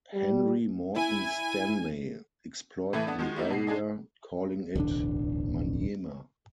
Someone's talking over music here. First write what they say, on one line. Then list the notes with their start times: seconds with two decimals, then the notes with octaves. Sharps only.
Henry Morton Stanley explored the area, calling it Manyema.
0.14 G3
0.96 E4 G#5
2.93 A2 E3 A3 G#6
3.06 B3 D4 A4
3.19 D#3 F3 G#3 F#4
3.36 G3 A#3 D#4 E4 G4
3.50 B2 C7
3.67 G#3 D4 G#4 D#5
4.75 D1 B1 E2 D4